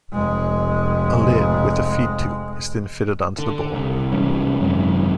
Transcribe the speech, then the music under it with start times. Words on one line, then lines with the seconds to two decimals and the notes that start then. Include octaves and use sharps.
A lid with a "feed tube" is then fitted onto the bowl.
0.12 F1 G#3
3.39 D3
3.74 C2
4.12 C3 E3 G3 C#4
4.60 G#1 F#2 C3 G#3